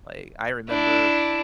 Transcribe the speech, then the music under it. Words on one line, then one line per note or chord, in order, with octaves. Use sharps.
like, I remember
D4 E4